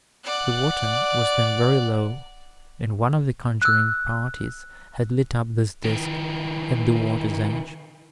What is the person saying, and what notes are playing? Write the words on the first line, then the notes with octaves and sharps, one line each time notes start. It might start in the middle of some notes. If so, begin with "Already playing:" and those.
The water was then very low, and one of the conjuring parties had lit up this disk at the water's edge.
D5 F#5
E6 F#6
D#3 E3